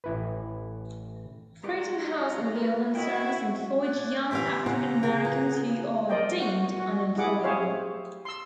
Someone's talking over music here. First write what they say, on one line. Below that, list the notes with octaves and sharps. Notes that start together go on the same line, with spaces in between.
Freedom House Ambulance service employed young African-Americans who were deemed 'unemployable.
A1 E4 B4
F#3 G#3 F4 G4 D5 A#5
A#4 B4
E4 F#4 C#5 D#5 G5
C#5 D5 F#6
D2 E3 G4 E5 F5 G5 C6 B6
C#3 B3 C5 F#5 A#5
C#3 G#4 A#4
F4 B4
A#4 C5 D5 D#5 G5
F#4 F#5
F#4
E4 G4 G#4 F#5 D6
G4 G#4 C5 C#5 E5 F5
C6 E6